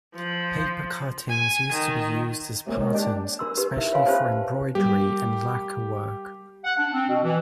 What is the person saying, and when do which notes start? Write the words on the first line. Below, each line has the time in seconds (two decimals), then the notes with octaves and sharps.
Papercuttings used to be used as patterns, especially for embroidery and lacquer work.
0.15 F3
1.29 G#5
1.71 D#3
2.66 F#2 C3 G#3 A#3 C#5
2.80 D#3
2.95 D4 G4
3.39 D4 A#4 C6 E6
3.57 D#4 G4 A#4 B4
3.78 E4 A#4 E5
3.92 F4 B4 C#5 F5 G#5 C6
4.06 C#4 F4 G4 B4 C5 A5
4.75 G3 A#3 G4
6.65 F#5
6.78 D4
6.93 C4
7.09 B2
7.24 E3